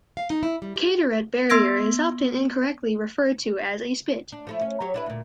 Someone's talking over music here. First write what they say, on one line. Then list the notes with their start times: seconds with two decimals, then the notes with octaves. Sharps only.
Kaitorete Barrier is often incorrectly referred to as a spit.
0.17 F5
0.30 D#4
0.43 E4
0.62 G3
0.76 G4
1.50 B3 C6 E6 G#6 A#6 D7
4.32 D4
4.47 F3 A3 E4
4.61 C#4
4.80 F#3 G4 C#5
4.94 D4 E4 B4
5.06 D2 A#2